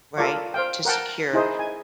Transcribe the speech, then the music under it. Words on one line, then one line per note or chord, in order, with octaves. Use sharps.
right, to secure,
F4 A4 A#4 D5 F5 C#6
C5 F5 G5
A#4 F#5 G5 A5
D#4 E4 G#4 C5 D#5
G#5